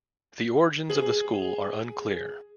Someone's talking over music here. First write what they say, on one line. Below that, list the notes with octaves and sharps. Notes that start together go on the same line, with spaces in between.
The origins of the school are unclear.
G#4 F#7